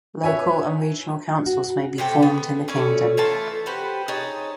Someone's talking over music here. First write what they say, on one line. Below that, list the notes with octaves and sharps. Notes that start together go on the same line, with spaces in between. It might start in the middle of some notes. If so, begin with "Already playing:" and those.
Local and regional councils may be formed in the Kingdom.
B4 C#5 E5 G#5
F#4
C3 A3 G5 A5
B3
A3 C#4 D5
E3 A3 F4 A5
F#4 G4 B4 C5
D#4 G#4 C#5 A5